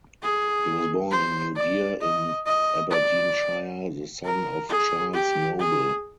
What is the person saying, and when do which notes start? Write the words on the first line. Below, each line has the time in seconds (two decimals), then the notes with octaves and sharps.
He was born in New Deer in Aberdeenshire the son of Charles Noble.
0.22 G#4
1.11 C5
1.56 D5
2.01 D#5
2.46 D#5
2.90 D5
4.24 A#4
4.69 G#4
5.13 G4
5.59 G#4